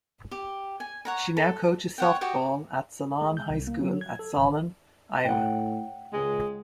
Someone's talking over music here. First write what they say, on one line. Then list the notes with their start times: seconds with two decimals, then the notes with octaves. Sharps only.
She now coaches softball at Solon High School in Solon, Iowa.
0.31 G4
0.80 G#5
1.05 C#5 F#5 A#5
1.37 A4
1.98 C#5 F#5 G5
2.21 F#4 G4 D#5 G5
3.21 G#3
3.37 G6
3.50 C2
3.67 A#3
3.81 F#3
4.01 G#6
4.19 A4
4.37 G#1
5.25 A2 F#5 G5
6.13 C#2 G#3